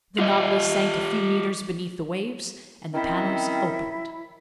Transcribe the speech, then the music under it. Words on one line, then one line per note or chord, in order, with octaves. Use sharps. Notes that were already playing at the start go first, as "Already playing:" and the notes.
The Nautilus sank a few meters beneath the waves, and the panels opened.
F4 G4 D#5
D#3 C4 C#4 E4